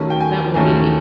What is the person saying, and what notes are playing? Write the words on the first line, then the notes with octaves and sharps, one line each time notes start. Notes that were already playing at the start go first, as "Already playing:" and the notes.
That would be.
Already playing: D#2 D#3 F#3 A3 C#4
G5
G#5
D#2 D#3 F#3 A3 C#4 G#5